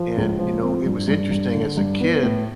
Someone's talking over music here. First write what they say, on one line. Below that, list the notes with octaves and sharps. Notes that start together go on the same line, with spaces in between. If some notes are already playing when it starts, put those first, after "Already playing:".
and, you know, it was interesting as a kid,
Already playing: F3
C#2
F3
C4
G2
G2
G2
D3
G2
B3
A2